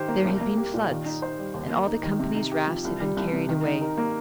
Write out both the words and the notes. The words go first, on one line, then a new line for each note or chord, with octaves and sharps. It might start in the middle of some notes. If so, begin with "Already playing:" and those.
There had been floods and all the company's rafts had been carried away.
Already playing: D#3 G4 C5
A#3
C2
A#3
G4
A#2
D#3
D#4
C5
G3
D#2
A#3
D#4
D#3
C3
D#4
G4
F3
C2
G3
C2
C3
D#3
D#4
A#4
A#3